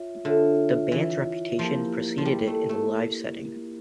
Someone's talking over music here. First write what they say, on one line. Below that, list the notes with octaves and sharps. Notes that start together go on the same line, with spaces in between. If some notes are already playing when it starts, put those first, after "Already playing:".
The band's reputation preceded it in the live setting.
Already playing: F4 C#5 E5
D3 F4 C#5 E5
E3
F3 A#3 E4 G4 A#4
F3
G3
A3
A3